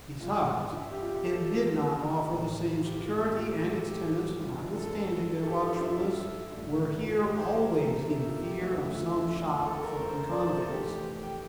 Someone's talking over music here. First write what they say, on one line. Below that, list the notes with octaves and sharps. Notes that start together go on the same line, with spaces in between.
Besides, it did not offer the same security, and its tenants, notwithstanding their watchfulness, were here always in fear of some shot from the convicts.
G1 G2 E3 F4
E4
G4
F4
G4
A4
F4
A1 A2 G3 A#3
F4
G4
F4
E4
G4
F4
A4
A4
G4
G1 G2 E3 G3 F4
F4
A4
A4
A4
G4
F4
E4
E4
A1 G2 D3 A3
F4
G4
C5
A#4
G4
A4
E4
F4
G4
F1 E2 E3 A3 F4
E4
F4
E4
F4
A4
A#4
C5
C5
D5
C5
A4
F1 F2 E3 A3 G4
G4
G5